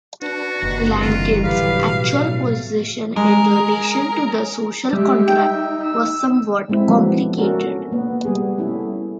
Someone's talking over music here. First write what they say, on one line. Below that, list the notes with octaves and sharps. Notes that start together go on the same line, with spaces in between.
Lankin's actual position in relation to the "social contract" was somewhat complicated.
D4 F#4 B4 A5
F#1 C3 D#3
D3 E3 G3 F4
A2 F#3 G4 B4 F5
B2 F#3 A3
G#3 G#4 A#4
G3 G#3 G4 E5
D#4 E5 G5
E6
G#3 A3 C4 E4
F3 F#3 B3 D4
A3 C#4 D4 F#4 A4 A#4
A#3 B3
G3 B3 G#4
A3 C#4 E4